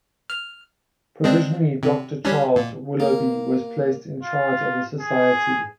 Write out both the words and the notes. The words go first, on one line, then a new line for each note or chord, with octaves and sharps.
Provisionally Doctor Charles Willoughby was placed in charge of the society.
F6
G#3 C4 D4
C3
G3 C#4 D4
A#2
A#3
F4
G#4